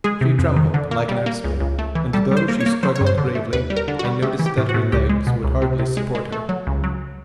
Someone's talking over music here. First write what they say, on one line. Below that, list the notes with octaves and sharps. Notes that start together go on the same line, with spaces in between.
She trembled like an aspen, and though she struggled bravely, I noticed that her legs would hardly support her.
G#3 G#4
C3
F2
D#3
D3
A#3
G3
A#3
C#2
C#2
A3
E3
G3 A4
G3
C5
A#3
C#5
A#3
F#3 C5
C#5
G2
C5
D3
A3
D#2 B4
G3
A#4
D3
F#4
G3
A3 G4
E3
G4
A2
F#4
A2
C#2 G4
G#3
B2
C#2
C3
C3
G#3
G#3
A3
F#3
C#2
F#3